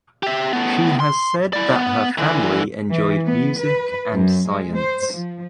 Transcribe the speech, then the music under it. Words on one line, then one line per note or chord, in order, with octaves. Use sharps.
She has said that her family enjoyed music and science.
G4 E5
A2 B3
C6
E4 D5
B3
D3 E3
E3
B3
B4
F#2
G#3
C5
F3